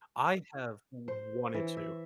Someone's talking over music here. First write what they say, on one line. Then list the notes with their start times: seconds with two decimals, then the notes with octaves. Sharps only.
I have wanted to.
1.08 C5
1.54 E3
1.77 E5